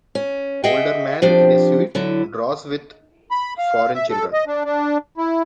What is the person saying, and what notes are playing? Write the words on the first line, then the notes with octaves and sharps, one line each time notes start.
Older man in a suit draws with foreign children.
C#4
G#4 D#5 E5 F#5 G5
F3 C4 D4 G4
D3 F#3 E4
B5
F5
E5
A4
D#5
D4
D4
E4